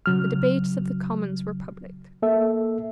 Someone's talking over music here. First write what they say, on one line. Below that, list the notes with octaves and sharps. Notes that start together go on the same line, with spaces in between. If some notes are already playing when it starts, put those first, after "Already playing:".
The debates of the Commons were public.
C#3 F#3 F6
A#3 A4 E5